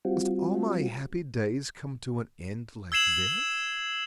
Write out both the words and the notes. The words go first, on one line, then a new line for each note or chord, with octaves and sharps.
"Must all my happy days come to an end like this?"
G3 C4 F4 F#4
E6 G#6 C7 E7 F#7